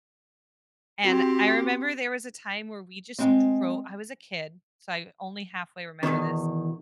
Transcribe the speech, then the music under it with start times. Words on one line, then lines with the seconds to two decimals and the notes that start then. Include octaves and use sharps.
And I remember there was a time where we just dro I was a kid, so I only halfway remember this,
1.04 C4 F#4 G4
3.19 G#3 C4
6.03 E2 G2 B2 D#3